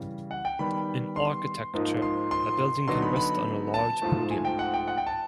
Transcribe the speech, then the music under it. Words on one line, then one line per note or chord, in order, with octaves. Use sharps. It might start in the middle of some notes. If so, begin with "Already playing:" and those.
In architecture a building can rest on a large podium.
Already playing: C#3 E3 G3
F#5
G5
D#3 G3 B3 B5
C6
G#2 F3 A#3 D#4
C6
C6
D3 F#3 B3 D#4 C6
B5
B5
A5
G#2 F3 A3
G#5
G5
F#5
G5
F#5
G5
A5